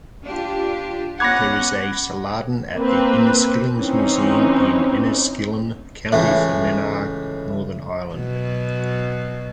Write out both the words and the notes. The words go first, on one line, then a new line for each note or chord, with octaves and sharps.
There is a Saladin at the Inniskillings Museum in Enniskillen, County Fermanagh, Northern Ireland.
D4 F4 G4
B3 C#4 F#5 B5 D6 F#6 G#6 A#6
A#3 C4 B4
E3 C4 C#4 D#4
C#2 A2 E3 A3
B2 F#3